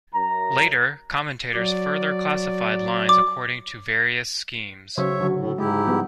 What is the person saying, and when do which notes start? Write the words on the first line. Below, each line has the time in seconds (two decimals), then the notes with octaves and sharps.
Later commentators further classified lines according to various schemes.
0.13 F#2 A#5
1.54 F#3 D5
3.09 D6
4.98 C#3 F#3 C5 C#5 E5
5.20 D3 F#3
5.35 A2
5.58 G#2 G#3 E4 G4
5.86 F3 G3 B3